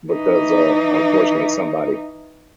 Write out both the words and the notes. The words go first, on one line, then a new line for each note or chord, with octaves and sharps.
because, uh, unfortunately somebody
E3 D#4